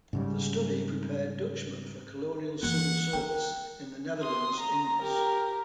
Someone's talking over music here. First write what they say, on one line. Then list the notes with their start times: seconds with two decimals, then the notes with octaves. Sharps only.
The study prepared Dutchmen for colonial civil service in the Netherlands Indies.
0.13 G#2 C#3 G3
2.63 E3 A#3 F#5
3.13 A#3 A#4 G5
4.23 C6 D#6
4.60 A#5
5.02 G4 A#4